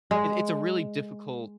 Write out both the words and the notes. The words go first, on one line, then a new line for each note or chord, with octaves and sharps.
it it's a really difficult
G#3